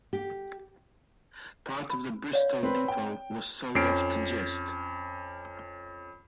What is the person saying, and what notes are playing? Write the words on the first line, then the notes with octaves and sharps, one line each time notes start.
Part of the Bristol depot was sold off to Gist.
G4
B5
C#5 D5 F5
C4 B4
G5
F2 C#4 C7 D7